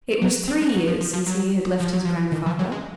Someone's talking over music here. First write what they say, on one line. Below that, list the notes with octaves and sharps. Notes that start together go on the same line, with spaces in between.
It was three years since he had left his grandfather.
F#3
C4
G#3
F#3
F3
F3
F3
F#3
F3
F#3
F3
D#3
F3
F#3
G#3